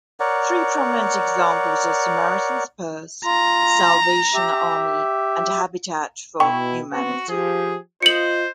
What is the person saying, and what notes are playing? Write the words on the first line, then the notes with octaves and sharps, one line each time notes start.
Three prominent examples are Samaritan's Purse, Salvation Army, and Habitat for Humanity.
A#4 C#5 D5 F#5
F4 A#5
G4 E5
B2 E4 G5 C#6
B3 C4 F#4
F3 G4 G#4
F4 C5 D#5 C#7 F#7